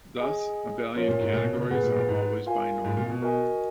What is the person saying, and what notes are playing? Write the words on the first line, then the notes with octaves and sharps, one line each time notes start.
Thus, abelian categories are always binormal.
G#4 D#5 G#5
F3 C#4 F4 A#4 C#5
A#2
G#2
A#2
B2
C#3
B2
A#2 G#4 B4 F#5
A#2
A#2
G#2
F4 A#4 F5 G#5
G#2
A#2
B2
F#4 A#4 D#5 G#5